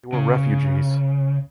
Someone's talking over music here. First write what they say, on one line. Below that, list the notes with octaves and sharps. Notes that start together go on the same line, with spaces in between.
They were refugees.
C#3